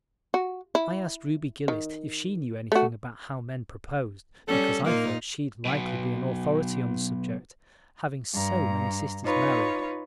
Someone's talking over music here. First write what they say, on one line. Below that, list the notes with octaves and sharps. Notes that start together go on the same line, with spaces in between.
I asked Ruby Gillis if she knew anything about how men proposed because I thought she'd likely be an authority on the subject, having so many sisters married.
F#4
E4
D#3
A3 F#4
G3 C#4 A4
A#2 A#3 D#4 F4
B1 B2
G2 A#5
D#4 F4 B4 C#5